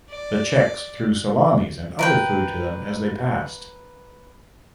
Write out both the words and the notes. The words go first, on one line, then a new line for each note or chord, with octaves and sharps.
The Czechs threw salamis and other food to them as they passed.
D5
A#4 B4 G5